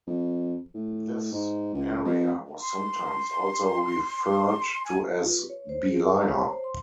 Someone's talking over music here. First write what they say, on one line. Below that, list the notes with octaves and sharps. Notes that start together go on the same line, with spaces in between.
This area was sometimes also referred to as Beeliar.
F2
A2
G#2
C#2
F2
C6
G#5
F4
B4
C#5
C5
G#4
C#5
C#5
C5
C6